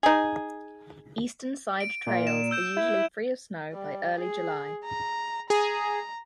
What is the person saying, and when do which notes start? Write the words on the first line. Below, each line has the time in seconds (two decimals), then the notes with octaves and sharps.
Eastern-side trails are usually free of snow by early July.
0.03 D#4 G#4
1.80 D7
2.06 A#2
2.27 E7
2.51 E6 G6 E7
2.77 E4
3.73 G3
4.16 G#4
4.85 A#5
5.50 G#4 A#5